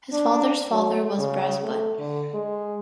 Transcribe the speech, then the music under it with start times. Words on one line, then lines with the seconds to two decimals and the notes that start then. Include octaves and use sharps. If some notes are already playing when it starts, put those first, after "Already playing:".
His father's father was a Brass Butt.
0.13 D4
0.72 F#3
1.18 C#3
1.63 A3
1.99 D3
2.34 G#3